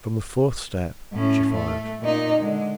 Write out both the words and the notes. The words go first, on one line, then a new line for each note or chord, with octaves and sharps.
From the fourth step she fired.
A2 C#4
A3
A#2 D#4
D3 G#3